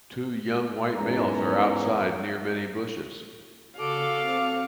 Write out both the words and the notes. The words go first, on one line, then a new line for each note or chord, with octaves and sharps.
Two young, White males are outside near many bushes.
E2 G#2 C#4 B4 A#5
C#3 F#4 A4 F5 D6
C4 C#7